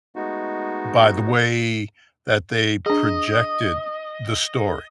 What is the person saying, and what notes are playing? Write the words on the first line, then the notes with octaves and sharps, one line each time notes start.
by the way that they projected the story.
G#3 A3 B3 D#4 F#4
D4 G#4 D#5